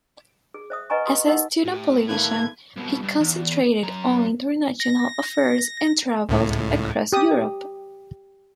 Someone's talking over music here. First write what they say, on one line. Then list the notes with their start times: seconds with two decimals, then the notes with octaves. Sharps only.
As a student politician he concentrated on international affairs and travelled across Europe.
0.54 G#4
0.70 C5 E5 D#6
0.90 B4 D#5 F#5 G#5 A#5 C#6
1.06 G4 B5 C6 D#6
1.27 D#4 A#4 D#5 F#5
1.65 A2 G4
2.09 D#2 D3 A#3 B4 G#6
2.76 C2 B2
3.02 G2
3.20 E2
3.83 F#2 A#5
4.80 A#6
6.29 C#2 A2
7.13 G4 D#6